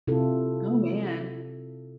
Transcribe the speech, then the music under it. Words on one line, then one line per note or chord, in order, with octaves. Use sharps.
Oh man.
C3 E4 F4 A4